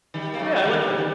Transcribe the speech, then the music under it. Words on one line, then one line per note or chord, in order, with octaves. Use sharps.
Yeah, I like that.
D#3 G3
A#3
F#3 A3
A3
D#3 G3
D#3